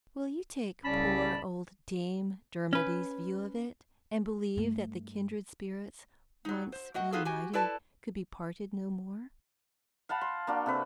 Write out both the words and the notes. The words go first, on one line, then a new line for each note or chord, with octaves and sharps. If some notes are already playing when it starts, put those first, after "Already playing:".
Will you take poor old Dame Dermody's view of it, and believe that the kindred spirits, once reunited, could be parted no more?
C2 C#3 C#4 D5 A5 B5
C#4 B4
G2 A3
F#3 D#4
C5
A3 F#4 D#5 F#5
B3 D#4 F4 F#4 G#4 A4
F#4 G4 G#5
E4 A4 B4 D5 A5
F5 F#5 A5 B5
C6
A#3 D4 F#4
C3 A4 B4